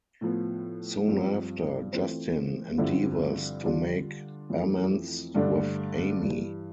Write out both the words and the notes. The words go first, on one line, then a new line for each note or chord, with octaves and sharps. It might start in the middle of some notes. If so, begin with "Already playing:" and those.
Soon after, Justin endeavors to make amends with Amy.
A2 F3 B3
G2 F3 C4
E3 A3 C4 F4 C5
G2 D3 F3 C4 E4
D3 G3 D4 F4
F2 E3 A3 E4
G2 D3 A3 D4
G2 E3 G3